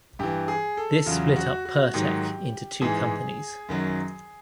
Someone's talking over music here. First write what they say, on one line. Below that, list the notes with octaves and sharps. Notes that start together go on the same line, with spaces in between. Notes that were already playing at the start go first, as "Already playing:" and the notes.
This split up Pertec into two companies.
G2 E3 G4
G#4
A4
E2 C#3 F#3 F4
F#4
F#4
G#2 D#3 F#3 G4
G#2 E3 G#4
F#2 D#3 F#3